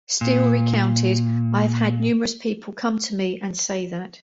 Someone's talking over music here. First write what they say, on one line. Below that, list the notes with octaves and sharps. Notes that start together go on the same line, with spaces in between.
Steele recounted, I have had numerous people come to me and say that.
A#2